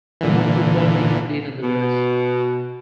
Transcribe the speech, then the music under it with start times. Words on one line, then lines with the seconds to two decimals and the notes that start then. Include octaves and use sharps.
No football may be played on the grass.
0.21 A#2 D3 E3
1.61 B2